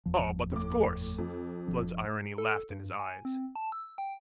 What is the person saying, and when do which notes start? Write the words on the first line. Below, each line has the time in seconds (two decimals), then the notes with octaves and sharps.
"Oh, but of course!" Blood's irony laughed in his eyes.
0.06 F#1 E2 F3
0.52 A2 D6
1.18 F2
1.67 F#1 F3 D4
2.38 A4
2.70 G2
2.99 G#5
3.25 C4
3.55 A5
3.72 E6
3.98 G5